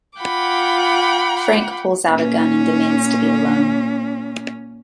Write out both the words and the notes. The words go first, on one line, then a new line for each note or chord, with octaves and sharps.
Frank pulls out a gun and demands to be alone.
F4 F#5 G5 B5 D6
A#2 C#4